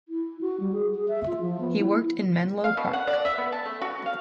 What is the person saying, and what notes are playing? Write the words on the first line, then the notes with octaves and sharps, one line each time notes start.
He worked in Menlo Park.
E4
F#4
G3
G#4
G#4
E5
F4
F3
B3
E4
F5
B2
F#5
D5
E5
B3
A5
A3
F#4
F5